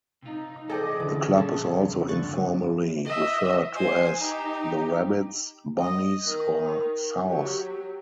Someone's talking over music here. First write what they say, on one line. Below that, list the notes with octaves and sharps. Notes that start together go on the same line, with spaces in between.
The club is also informally referred to as the "Rabbits", "Bunnies" or "Souths".
C3 D#4 F4
E3 G#4 A4 D5 D#5 G5 D6
D3 E3 C#4 A4 D6
A#2 F3 A5
E2 C#3
G2 D3 C#6 F#6 A6
D#5 E5
C5 G#5
D#4 G4
D#5
D#3
F#3 G4